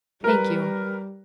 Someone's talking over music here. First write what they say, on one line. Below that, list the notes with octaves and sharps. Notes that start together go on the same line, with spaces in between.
'Thank you.
G3 A#4 B4